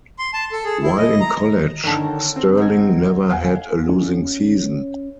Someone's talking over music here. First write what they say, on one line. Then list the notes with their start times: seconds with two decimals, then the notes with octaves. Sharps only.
While in college Stirling never had a losing season.
0.19 C6
0.33 A5
0.52 A4
0.64 G#4
0.83 E4
0.97 D#5
1.20 A#5
1.84 D3 D#3 A4 A#4 C#5
2.36 C4
2.57 D#4 F#4 G#5
3.30 F5 F#5 G#5
3.89 C#4